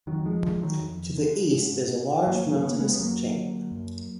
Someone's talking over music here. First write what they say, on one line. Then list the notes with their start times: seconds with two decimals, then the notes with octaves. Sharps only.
To the east, there is a large mountainous chain.
0.07 F2 D#3 F#3
0.26 F3 G#3
0.44 D3 F3 G#3
0.63 D#3 F#3
0.80 F2
1.18 D3
1.54 G#2
2.26 G#2 F#3 A#3
2.63 B3
2.71 A#3
2.80 G#3 B3
2.93 B3
2.99 F#2 F#3 A#3
3.35 D3
3.72 F#2